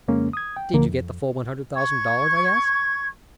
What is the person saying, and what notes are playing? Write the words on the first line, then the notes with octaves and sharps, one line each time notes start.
"Did you get the full one hundred thousand dollars?" I asked.
F2 C#3 G#3 A#3 C#4
D#6 G#6
G5
D2 D3 F3 A#3 A#4
F2
C#6 G#6